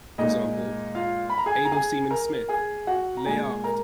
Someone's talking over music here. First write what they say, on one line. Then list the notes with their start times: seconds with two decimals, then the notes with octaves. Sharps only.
Example: "Able Seaman Smith; lay aft!".
0.18 A#2 G#3 D#4 D#5
0.95 F4 F5
1.30 B5
1.38 A#5
1.46 G#4 G#5
1.65 A#5
1.72 G#4 G#5
2.10 A#4 A#5
2.49 G#4 G#5
2.87 F#4 F#5
3.17 A#5
3.26 A#2 G#3 G#4 G#5
3.64 A#4 A#5